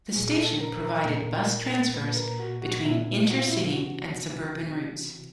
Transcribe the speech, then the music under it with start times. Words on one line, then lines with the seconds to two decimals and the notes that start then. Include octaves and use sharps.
The station provided bus transfers between inter-city and suburban routes.
0.15 A#2 G#4
0.38 A4
0.61 A#4
0.82 A#4
1.05 A#2
1.94 A#2 B4
2.17 A#4
2.39 F#4
2.62 F#4
2.83 A#2 E4
3.29 F#4
3.38 F4
3.48 E4
3.57 F4
3.73 C3 E3 F#4
4.63 C3 E3